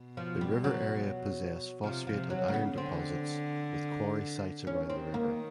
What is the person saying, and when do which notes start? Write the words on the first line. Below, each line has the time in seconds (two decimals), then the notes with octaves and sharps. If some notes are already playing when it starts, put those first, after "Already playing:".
The river area possess phosphate and iron deposits with quarry sites around the river.
Already playing: B2
0.17 F3
0.41 G3
0.64 F#3
1.83 C3 F3
2.07 F3
2.14 C3
2.30 F#3
2.45 C#3 A#3
2.54 B3
2.77 D3 C4
4.67 D#3 C#4
4.90 C4
5.14 A#3